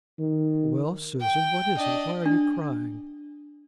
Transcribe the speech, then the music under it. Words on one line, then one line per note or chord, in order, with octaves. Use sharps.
'Well, Susan--what is it?--why are you crying?'
D#3
G5
D4 D#5
D4